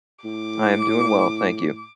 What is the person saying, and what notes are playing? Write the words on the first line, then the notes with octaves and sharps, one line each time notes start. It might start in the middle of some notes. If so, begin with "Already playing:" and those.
I am doing well, thank you.
A2 D6